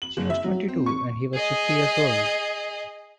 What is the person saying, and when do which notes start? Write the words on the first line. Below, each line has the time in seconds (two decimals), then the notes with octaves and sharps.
She was twenty-two and he was fifty years old.
0.02 F#7
0.17 F#1
0.30 E5
0.44 F#3
0.68 C4
0.86 C#6
1.34 G#4 D#5